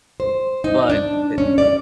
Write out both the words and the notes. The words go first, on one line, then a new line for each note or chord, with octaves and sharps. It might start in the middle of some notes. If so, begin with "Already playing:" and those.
but but
C5
D#4
D4
C#4
D5